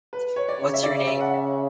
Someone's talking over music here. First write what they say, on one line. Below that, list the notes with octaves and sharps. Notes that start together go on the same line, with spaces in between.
What's Your Name?
B4
C#5
D5
C#3 C#5
E5
D5
E5
F#5
E5